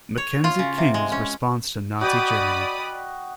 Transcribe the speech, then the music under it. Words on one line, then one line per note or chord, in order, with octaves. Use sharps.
Mackenzie King's response to Nazi Germany.
C#5
F4
C#3
C3
G#3
C#4
F#4 D5 D#5 G5 B5 D#6